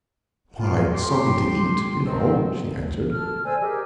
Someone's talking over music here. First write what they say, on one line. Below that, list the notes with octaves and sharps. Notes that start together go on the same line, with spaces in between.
"Why--something to eat, you know," she answered.
F4
F2 F4 G4 C6
D#3 C4
A4 F6
C5 D5 G#5 E6
G4 G#4 A#4 D#5